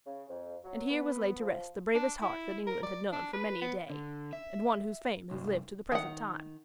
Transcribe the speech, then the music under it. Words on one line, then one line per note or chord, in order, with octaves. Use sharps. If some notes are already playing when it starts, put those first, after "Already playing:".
And here was laid to rest the bravest heart that England had known for many a day, and one whose fame has lived to the present time.
C#3
F2
F#3
B3
F3
D4
E4
A#4
D5
D4
B4
B3
D3
E5
C2 G2
D#3 F#5